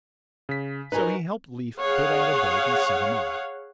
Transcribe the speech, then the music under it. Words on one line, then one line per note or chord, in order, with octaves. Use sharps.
So he helped Leif fit out a boat and sent him off.
C#3 B6
D#4 F#4 A#4 B4 G#5
G#4 C#5 F5 F#5